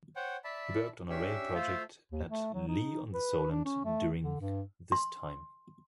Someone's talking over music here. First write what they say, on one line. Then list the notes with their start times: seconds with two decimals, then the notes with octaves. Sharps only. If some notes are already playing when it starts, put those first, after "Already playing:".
He worked on a rail project at Lee-on-the-Solent during this time.
0.16 C5 C#5 F#5 G5
0.44 D5 E5 A5 B5
1.10 C#4 D4 G4 C#5 E5 E6
1.54 A3 F4 A4 C5 E5 F5
2.12 D#2
2.29 A3
2.54 F#3
2.68 D#4
3.14 B4
3.51 D4
3.65 C#4
3.85 A3
4.22 D3
4.41 G2
4.92 C6